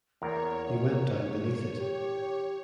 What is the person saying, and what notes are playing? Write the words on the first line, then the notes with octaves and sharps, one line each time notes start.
He went down beneath it.
E2 A#3 A#4 C#5
G4